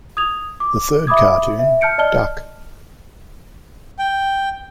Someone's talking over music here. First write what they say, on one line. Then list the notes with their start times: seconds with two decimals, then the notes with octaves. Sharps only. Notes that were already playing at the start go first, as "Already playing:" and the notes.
The third cartoon, Duck!
0.17 D#6 G#6 F7
0.60 D6
1.07 E5 B5 D6 D#6 G#6
1.59 E5
1.81 A5 F6 G6 C#7 D7
1.98 D5 D#5 A5 F6 G7
3.99 G5